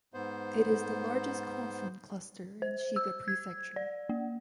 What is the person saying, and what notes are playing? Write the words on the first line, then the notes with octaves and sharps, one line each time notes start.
It is the largest "kofun" cluster in Shiga Prefecture.
G#2 B3 C5
C5
E6
G#6
D5
A#3